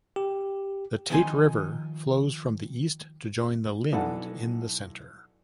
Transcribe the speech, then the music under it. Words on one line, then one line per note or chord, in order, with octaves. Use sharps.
The "Tate River" flows from the east to join the "Lynd" in the centre.
G4
D#3 F3 D#4 A4 G#5 C6
B1 E3 D4 A4 F#5 A5